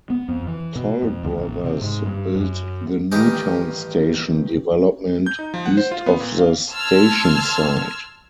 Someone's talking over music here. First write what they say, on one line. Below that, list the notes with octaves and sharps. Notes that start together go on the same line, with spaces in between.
Toll Brothers built the "Newtown Station" development east of the station site.
B3
F2
E3
B2
F2
D2
A1
C3
G#2
G2
F#2
A1 G2 D#3 G4 D#5 G5
G6
D#4
F3
F#5
C5
F4
B3
A#2
F5
A5 C6 E6 F6 G#6